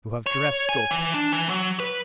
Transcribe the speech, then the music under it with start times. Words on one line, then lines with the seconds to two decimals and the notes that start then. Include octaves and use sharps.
You have dressed up.
0.26 C#5
0.69 G#5
0.91 E3
1.14 D4
1.32 E3
1.49 F#3
1.80 B4